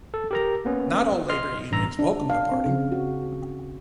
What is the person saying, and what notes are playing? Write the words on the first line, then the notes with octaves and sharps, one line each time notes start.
Not all labour unions welcomed the party.
A4
G4 A#4 A#5
A#3 B3 C#4
D#5 C6 F6
A1 G2 A#5 E6
D4
F5
C4
C#3
F#4